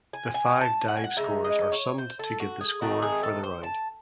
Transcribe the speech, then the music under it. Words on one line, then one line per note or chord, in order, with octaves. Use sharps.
The five dive scores are summed to give the score for the round.
G#5
G#5
A5
F#5
G#5
F#5
C#3 G#3 D#4 E5
D#5
C#5
C5
A4
F#4
G#4
D#3 A3 C4 D#4 F#4
G#4
A4
C5
A5